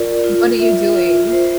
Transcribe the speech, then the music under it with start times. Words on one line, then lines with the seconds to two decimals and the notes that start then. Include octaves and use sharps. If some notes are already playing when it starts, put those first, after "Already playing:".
What are you doing
Already playing: F4 A#4 D5
0.24 F4
0.60 E5
0.96 F4
1.32 C5